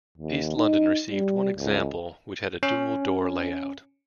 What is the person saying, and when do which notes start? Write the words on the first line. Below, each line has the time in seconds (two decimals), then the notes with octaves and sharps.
East London received one example which had a dual door layout.
0.18 D#2
0.56 D#4
1.10 G3
1.56 C#2
2.63 C#4